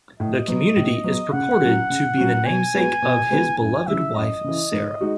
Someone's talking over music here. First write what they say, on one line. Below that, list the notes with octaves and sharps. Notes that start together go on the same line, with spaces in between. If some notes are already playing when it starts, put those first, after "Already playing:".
The community is purported to be the namesake of his beloved wife, Sara.
A2 D#5
F#3 B3
A2
F#3 B3
C#3 F#5
F#3 C#4 F#4
C#3
F#3 C#4 F#4
B2 G#5
G#3 B3 F#4 B4
B2
G#3 B3 F#4 B4
F#2 G#5
C#3 E3 E5
F#2 D#5
C#3 E3
G#2
G#3 D#4 F#4